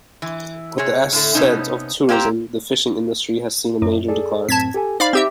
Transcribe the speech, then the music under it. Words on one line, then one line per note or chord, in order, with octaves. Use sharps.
With the ascent of tourism, the fishing industry has seen a major decline.
E3
C3 G#4 C#5
A2 D3 A3
C3 B3 C#4 D#4 A5
A#3 C4 G4 C5 G5 A#5
F#2
G#4 A4 D5
F#2 A2 C4 A5 G#6 B6
G4 A4 G#5
D#4 C5 D5 F5 B5
C4 G4 E5